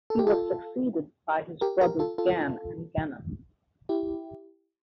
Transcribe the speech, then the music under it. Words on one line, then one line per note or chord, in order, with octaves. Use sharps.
He was succeeded by his brothers Gann and Genann.
A4
G4
F4 A4
G4 A#4
G4 A#4
F4 A4
F4 A4
E4 G4